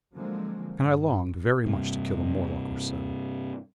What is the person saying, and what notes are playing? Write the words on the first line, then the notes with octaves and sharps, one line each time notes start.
And I longed very much to kill a Morlock or so.
D3 F3 F#3 G#3 A#3 C4
G2
G2 C3